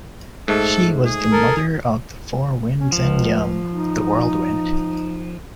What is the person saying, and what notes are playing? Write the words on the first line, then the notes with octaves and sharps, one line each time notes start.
She was the mother of the Four Winds and Yum, the whirlwind.
G#2 A3 A4
G#4
A4 A#4
C#4
C#2 F3
D#4